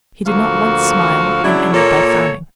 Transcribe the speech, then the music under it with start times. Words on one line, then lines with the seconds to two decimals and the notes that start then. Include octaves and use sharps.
He did not once smile, and ended by frowning.
0.25 D2 F3 A#3 F#4 A4 F5
1.43 C#3 F#3 D4 E4
1.72 A#2 A#3 A4 C#5